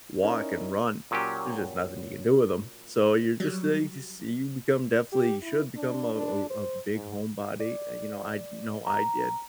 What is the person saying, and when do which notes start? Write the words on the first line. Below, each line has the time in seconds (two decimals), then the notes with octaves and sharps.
walk and run, there's just nothing you can do with ‘em. So, you're just, eh, you can see you become definitely you should become a a a big homebody, eh, you know, I know I did.
0.22 C#4 D#4 E4 A#4 D5
1.11 A#2 F#3 C#4 G4
3.40 F#3 G3
5.12 G4
5.42 E4
5.76 D4
6.15 D4
6.50 C5
6.94 G#2
7.60 D5
8.87 A#5